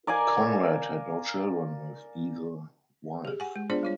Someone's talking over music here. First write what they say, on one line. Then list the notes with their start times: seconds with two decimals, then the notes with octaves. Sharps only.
Conrad had no children with either wife.
0.07 A#4 D5 F5 G#5
3.25 G4 G#4
3.40 F#5 G#5
3.56 G#3
3.70 B3 D4 F4 G#4 C5 D5
3.83 G3 F4 C#5